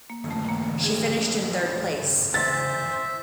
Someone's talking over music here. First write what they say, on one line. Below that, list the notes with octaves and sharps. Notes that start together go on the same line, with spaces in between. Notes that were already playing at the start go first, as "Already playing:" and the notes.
She finished in third place.
A#3
A3
A#3
G#4
E3 C5 E5 A6